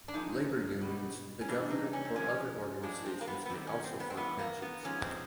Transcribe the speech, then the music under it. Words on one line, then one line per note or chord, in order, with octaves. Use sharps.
Labor unions, the government, or other organizations may also fund pensions.
D4
A#2 F3 G#3 D#4
B2 G3
C#4
G2 E3 G3 D4
D#4
C#4
C4
A#2 F3 G#3 C#4
A2 F3 G#3 D4
C4
A#3
B3
B3
F#2 D#3 G3 C4
C#4
C4
B3
C4
G2 E3 G#3 B3
A#3
B3
G#2 F3 G#3 C#4
C4